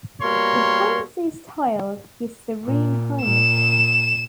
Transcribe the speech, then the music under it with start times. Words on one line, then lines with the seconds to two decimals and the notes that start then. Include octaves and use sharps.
The Prince is styled "His Serene Highness".
0.22 B2 G3 A#3 A#4 C#5 C6
2.64 A#2
3.23 A#2 E7